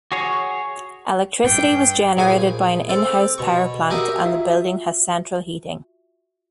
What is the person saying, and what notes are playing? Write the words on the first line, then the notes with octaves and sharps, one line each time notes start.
Electricity was generated by an in-house power plant and the building has central heating.
F#4 G#4 C#5
G2 G5
A#1 G#4 F5 G#5
C4 A4
B2 C#6
F#4 G4 A#4 D#5 E5
F4 F#4 E5